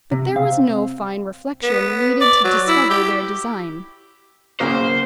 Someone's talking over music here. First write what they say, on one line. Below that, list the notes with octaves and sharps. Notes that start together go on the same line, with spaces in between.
But there was no fine reflection needed to discover their design.
C3
C4 F5
B3
D5
F#3
E4
G4
B1 C#3 A#3 C5